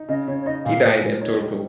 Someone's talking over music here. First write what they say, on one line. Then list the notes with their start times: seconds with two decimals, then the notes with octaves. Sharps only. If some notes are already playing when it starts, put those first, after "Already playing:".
He died in Turku.
Already playing: D#4
0.09 C#3 D#5
0.27 C#3 C#5
0.41 C#5
0.46 D#4 D#5
0.64 A#2 F5
0.84 A#2
1.03 A#2
1.21 D#4 C#5
1.41 G3